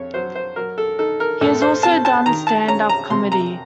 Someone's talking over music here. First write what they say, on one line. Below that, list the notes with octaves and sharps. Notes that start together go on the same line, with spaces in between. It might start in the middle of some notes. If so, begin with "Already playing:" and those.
He has also done stand-up comedy.
Already playing: F2 C#5
F#3 C5
C5
F#3 A#4
A4
D#4 A4
A#4
A2 A4
C5
C4 A5
A5
D#3 A#5
A5
C#4 A#5
A#5
C3 C6
A#5